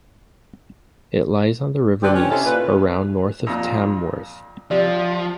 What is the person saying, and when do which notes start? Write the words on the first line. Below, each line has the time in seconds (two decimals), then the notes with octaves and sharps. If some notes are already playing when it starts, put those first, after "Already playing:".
It lies on the River Mease, around north of Tamworth.
2.02 D3 C4 G4 B4 D5
2.14 C#4
2.29 C3 C#4 D#4 E4 A4
2.44 A#2 B4
3.47 F2 A#2
4.71 C3 F3 D5